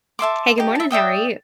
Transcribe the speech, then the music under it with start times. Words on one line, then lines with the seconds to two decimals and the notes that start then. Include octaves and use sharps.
Hey, good morning, how are you?
0.19 A4 E5 C6 D6
0.58 D#4 G4
0.75 E5 A5
0.91 D5 E5 G5 D#6